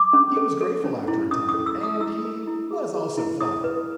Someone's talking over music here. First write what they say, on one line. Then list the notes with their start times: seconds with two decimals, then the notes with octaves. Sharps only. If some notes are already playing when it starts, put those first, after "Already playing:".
He was grateful after a time, and he was also flattered.
Already playing: D6
0.13 C#4
0.37 A4
0.61 A4
0.84 C#4
1.08 E4
1.31 C#4 D#6
1.49 D#6
1.54 A4
1.66 E6
1.78 E4
1.83 D#6
2.00 E4 E6
2.25 A4
2.47 E4
2.71 G#4
2.94 G#4
3.17 E4
3.40 E4 D#6
3.64 B4